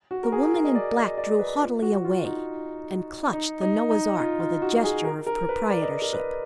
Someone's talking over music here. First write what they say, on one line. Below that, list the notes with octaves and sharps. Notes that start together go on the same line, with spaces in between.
The woman in black drew haughtily away and clutched the Noah's ark with a gesture of proprietorship.
F#4
A#4
G#4
A#4
D#5
D5
D#5
D5
B4
F4
F#4
F4
D#4
D#4
D#4
D#4
F4
F4
F#4
G#4
A#4
A#4
B4
D5
D#5
D5
A#4
B4